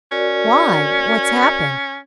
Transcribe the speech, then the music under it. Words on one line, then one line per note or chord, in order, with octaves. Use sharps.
'Why, what's happened?
C#4 F#4 A#4 D5